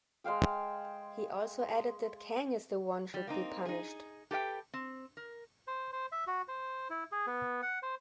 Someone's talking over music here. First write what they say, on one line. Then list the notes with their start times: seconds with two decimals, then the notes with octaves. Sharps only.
He also added that Kang is the one should be punished.
0.24 G#3 C5 F5 G5
3.14 G3
3.27 A#3 C4 D#4
3.65 D#4 G#4
4.31 G4 A4 B4 F5 G5
4.74 C4
5.17 A#4
5.67 C5
5.92 C5
6.12 E5
6.27 F#4
6.48 C5
6.90 E4
7.12 G#4
7.27 B3
7.62 F#5
7.82 C5